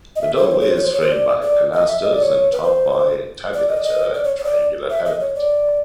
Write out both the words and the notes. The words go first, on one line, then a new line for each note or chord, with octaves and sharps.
The doorway is framed by pilasters and topped by an entablature and triangular pediment.
D#5
E5
C5
C#5
C5
C#5
C5
C#5
C5
C#5
C5
D5
D5
D#5
E5
D#5
D5
C#5
B4
C5
C#5
C5
D5
D#5
D5
D#5
D5
C#5
C#5
D5
E5
D#5
C#5
D5